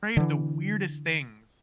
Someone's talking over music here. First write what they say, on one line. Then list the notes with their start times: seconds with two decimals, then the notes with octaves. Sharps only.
crave the weirdest things,
0.17 D3 E3